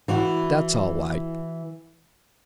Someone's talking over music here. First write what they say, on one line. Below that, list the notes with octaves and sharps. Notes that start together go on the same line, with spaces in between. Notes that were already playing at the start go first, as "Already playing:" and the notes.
That's all wight.
E3 E4 F#4